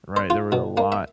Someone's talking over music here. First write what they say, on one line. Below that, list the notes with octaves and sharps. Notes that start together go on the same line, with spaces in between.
right? There were a lot
C5
F4
B2
A#3
E5